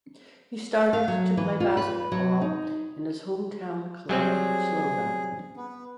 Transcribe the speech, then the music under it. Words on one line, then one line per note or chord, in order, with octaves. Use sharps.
He started to play basketball in his hometown club Sloga.
F5
F#3
E3
F4
B4
F#3
D#4
F#3 G3 C4 G#4
B3